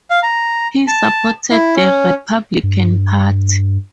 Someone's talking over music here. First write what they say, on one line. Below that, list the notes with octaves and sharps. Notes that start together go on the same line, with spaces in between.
He supported the Republican party.
F5
A#5
A5
E4
C#4
G2